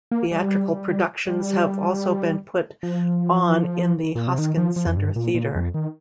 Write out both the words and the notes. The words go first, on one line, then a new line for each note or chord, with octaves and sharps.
Theatrical productions have also been put on in the Hoskins Centre theatre.
A#3
G3
G3
F3
A#2
C3
D#3
F3
F3
F2
G2
A#2
A#2
F2
D#3